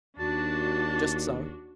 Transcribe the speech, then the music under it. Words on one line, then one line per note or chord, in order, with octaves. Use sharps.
"Just so."
D#2 D4 F#4 A5